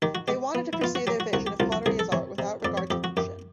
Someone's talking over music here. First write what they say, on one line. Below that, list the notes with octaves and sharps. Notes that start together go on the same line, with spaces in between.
They wanted to pursue their vision of pottery as art, without regard to function.
D#3 G4
F#4
G#3 G4
B3
E4
B3 F4
F#4
F#3 G4
F#4
C2 F#4
G4
C2 F4
F#4
C2 G#4
A4
C3 C#5
C3
F2 D5
C#5
F2 G4
F#4
F#2 G4